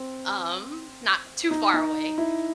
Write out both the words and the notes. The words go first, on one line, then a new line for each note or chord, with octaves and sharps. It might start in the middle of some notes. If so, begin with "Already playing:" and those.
Um, not too far away.
Already playing: C4
D#4
D#4
E4